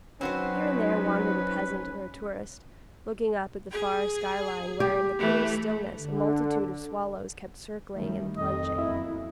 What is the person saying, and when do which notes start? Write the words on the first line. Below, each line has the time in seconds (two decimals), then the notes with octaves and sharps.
Here and there wandered a peasant or a tourist, looking up at the far sky-line where, in the clear stillness, a multitude of swallows kept circling and plunging.
0.21 F#3 C4 C#4 D#4 F#4 B4 C5
3.71 G#4
4.80 G4
5.19 E3 A3
5.97 D3
7.95 D#3 G3 A3
8.37 F2 A2 D#3 D#5
8.78 F#2 E3 A#3 E4